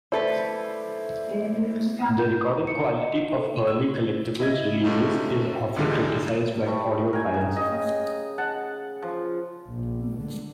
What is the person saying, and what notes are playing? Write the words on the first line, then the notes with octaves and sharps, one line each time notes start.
The recording quality of early Collectables' releases is often criticized by audiophiles.
A3 E4 A4 B4 C5 D5
G6
A#5
C#7
A#5
D#5
A4
E6
E4 D#5 G#6
G2 C3 A3 C#4 D#4 F4
C#2 A#2 D3 E3 G3 G#3
G3 A3
A#4 G5 G#5
C#3
D#5
F#5 A5
F3
A#1
D3